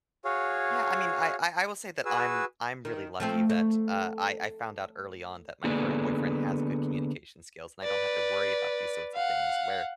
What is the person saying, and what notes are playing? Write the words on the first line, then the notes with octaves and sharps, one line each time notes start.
Yeah, I mean, I I I will say that I'm I'm really lucky that, uh, I I found out early on that my current boyfriend has good communication skills, and I don't have to worry about these sorts of things, where,
F#4 G#4 C#5 F5
F#4 G#4 B4 E6
D#3
F3 A3 C4
A3
D3 A#3 B3 G#4 A4 D5
B4 D5
F5 F#5